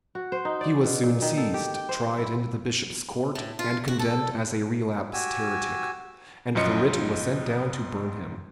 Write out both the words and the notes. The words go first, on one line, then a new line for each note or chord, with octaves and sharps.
He was soon seized, tried in the bishop's court, and condemned as a relapsed heretic; and the writ was sent down to burn him.
F#4
C5
D#4
D5
B2
A#2
D#3
A4
G4
G5
C5
E4
A2
F4
F#4
A4
F#4 G4 G#5 E6
B1 F#2 F3 D#5 C#7